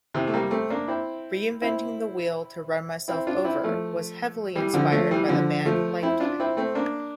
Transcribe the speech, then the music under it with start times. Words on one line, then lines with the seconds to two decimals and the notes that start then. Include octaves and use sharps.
"Reinventing the Wheel to Run Myself Over" was heavily inspired by the band Lifetime.
0.14 C3 E3
0.27 A3
0.33 G3 A#3
0.51 A3 C4
0.70 A#3 D4
0.88 C4 E4
1.62 C4 E4
3.08 C4 E4
3.27 D4 F4
3.45 C4 E4
3.64 F3 A3
4.56 E3 G3
4.74 D3 F3
4.92 F3 A3
5.11 E3 G3
5.29 D3 F3
5.66 F3 A3
6.03 C4 E4
6.20 D4 F4
6.40 C4 E4
6.57 A3 C4
6.75 A#3 D4